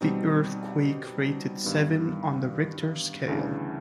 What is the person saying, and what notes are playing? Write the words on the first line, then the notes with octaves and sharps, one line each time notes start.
The earthquake rated seven on the Richter scale.
B2 G3 C4 D#4
G2 D#3 G3 B3
D2 C#3 E3 A3 D4